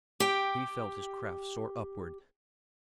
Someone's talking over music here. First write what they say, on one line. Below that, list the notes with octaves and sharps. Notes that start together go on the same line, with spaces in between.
He felt his craft soar upward.
G4 G5